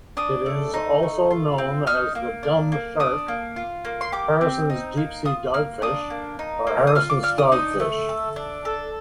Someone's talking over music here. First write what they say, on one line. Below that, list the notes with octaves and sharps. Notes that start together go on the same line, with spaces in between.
It is also known as the dumb shark, Harrison's deep-sea dogfish, or Harrison's dogfish.
D4 D#6
A3
D#4
A3
F4
C4
D#4 F6
A#3
D4
A#3
D4 D#6
A#3
F4
A#3
C6
G4 D6
C4
D#4
A#3
F4 D#6
A#3 F6
D4 D#6
A#3
D#4
A#3
D#6
F4 F6
D6
D4 F6
D#6
D#4 D#6
A3
A4
D4
A4